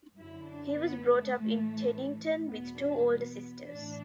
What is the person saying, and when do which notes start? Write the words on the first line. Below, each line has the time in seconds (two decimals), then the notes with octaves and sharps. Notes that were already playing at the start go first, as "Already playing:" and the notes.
He was brought up in Teddington with two older sisters.
0.15 F#2 D3 E4
0.46 D4
0.74 B3
1.04 A3
1.32 A2 E3
2.48 E2 B2 B3
2.78 D4
3.06 B3
3.64 A2 E3 D4